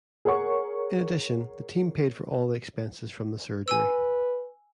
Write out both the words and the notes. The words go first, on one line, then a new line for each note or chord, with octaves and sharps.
In addition, the team paid for all the expenses from the surgery.
G#4 A#4 C#5 F#5 C#6
B4 G#5 E6